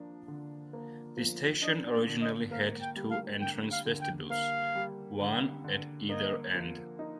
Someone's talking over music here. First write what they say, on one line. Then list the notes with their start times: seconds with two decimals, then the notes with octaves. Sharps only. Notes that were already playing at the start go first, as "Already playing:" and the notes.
The station originally had two entrance vestibules, one at either end.
Already playing: F3 A#3 D4
0.28 D3
0.73 A#3
1.17 F3
1.62 D4 D#5
1.91 D5
2.06 D3
2.22 D#5
2.51 A#3 F5
2.81 G5
2.96 G3
3.11 F5
3.40 D3 G5
3.71 F5
3.85 D3
4.01 G5
4.30 A#3 F5
4.75 G3
5.19 D3
5.64 D3
6.09 A#3 D#5
6.54 F3
6.99 D#4